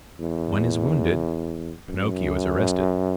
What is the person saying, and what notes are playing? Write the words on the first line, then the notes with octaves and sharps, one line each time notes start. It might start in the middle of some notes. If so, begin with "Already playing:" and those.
One is wounded. Pinocchio is arrested.
E2
F#2